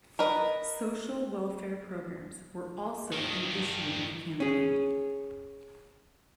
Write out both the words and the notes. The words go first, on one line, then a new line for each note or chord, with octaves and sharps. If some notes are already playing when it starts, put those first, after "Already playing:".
Social welfare programs were also an issue in the campaign.
A#4 B4 D#5
G2 D#3
C#4 G#4